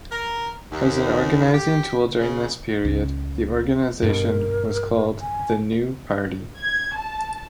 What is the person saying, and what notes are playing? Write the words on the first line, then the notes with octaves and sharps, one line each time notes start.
As an organizing tool during this period, the organization was called the New Party.
A#4
D#2
G4
C#3
C#2
G2 B2 A#4
G#5
G#6
A5